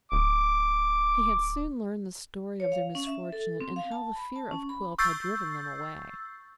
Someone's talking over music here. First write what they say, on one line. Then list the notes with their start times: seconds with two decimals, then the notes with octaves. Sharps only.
He had soon learned the story of their misfortune and how the fear of Quilp had driven them away.
0.12 D1 D6
2.60 C#5
2.72 F5
2.95 C#4
3.07 E5
3.32 A4
3.61 C4
3.76 F5
3.92 A5
4.15 B5
4.36 A5
4.51 C#4
4.69 B5
4.98 C#6 E6 G6 A6 C7